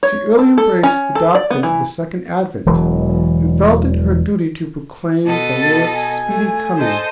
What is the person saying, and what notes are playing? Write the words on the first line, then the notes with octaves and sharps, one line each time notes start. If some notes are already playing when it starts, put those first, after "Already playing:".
She early embraced the doctrine of the Second Advent, and felt it her duty to proclaim the Lord's speedy coming.
C#5
A4
A4
C#4
A4
D5
B3
E3
E1 E3 F#3
B2 A4 D#5
A6
G#5
A3
A4 C5 D#5